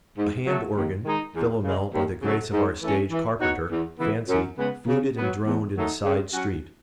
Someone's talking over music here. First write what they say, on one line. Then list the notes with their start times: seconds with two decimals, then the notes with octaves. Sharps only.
A hand organ--Philomel by the grace of our stage carpenter, Fancy--fluted and droned in a side street.
0.17 G#2
0.47 F#3 A3
0.76 D#2
1.05 D#3 G#3 D#4
1.35 E2
1.64 C#3 G#3
1.93 D#2
2.22 C#3 F#3 A3
2.52 G#2
2.82 E3 A3 C#4
3.11 E3
3.40 B3 D#4 F#4 C#5
3.70 E2
3.99 C#3 E3 B3 E4
4.28 F#2
4.57 C#3 G#3 B3
4.87 C#3
5.16 F#3 B3
5.46 E2
5.75 D#3 F#3 A3 D#4
6.04 C#3
6.34 F#3 C#4 F#4